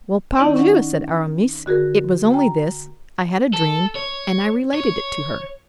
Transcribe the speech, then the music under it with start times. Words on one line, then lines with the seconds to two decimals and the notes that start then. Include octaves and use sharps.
"Well, pardieu!" said Aramis, "it was only this: I had a dream, and I related it to her."
0.38 D#3 C4 D#4 E4 D5
0.56 C#4 F#5
1.66 D3 F#4 G#4 A#4
2.31 G5 A#5
3.53 A4
3.95 C#5
4.74 C#5